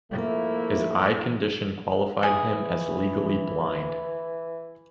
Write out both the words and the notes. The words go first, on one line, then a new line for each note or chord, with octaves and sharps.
His eye condition qualified him as legally blind.
F3 A3 A#3 E4
E3 G#4